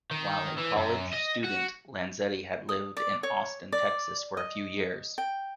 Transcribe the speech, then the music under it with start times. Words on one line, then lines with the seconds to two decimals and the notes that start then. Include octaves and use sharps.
While a college student, Lanzetti had lived in Austin, Texas for a few years.
0.11 D#3
0.57 E3
0.76 F#2
1.13 D#5
1.44 F#4
2.69 D#6
2.97 D5
3.23 C#5
3.72 D5
4.37 D#5
5.18 G5